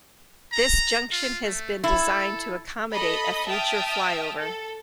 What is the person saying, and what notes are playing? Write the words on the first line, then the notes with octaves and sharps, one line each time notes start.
This junction has been designed to accommodate a future flyover.
A#5
F4
A3
E4 A4
A4 D#5 B5
E5 G5 A5 D#6 F6
A4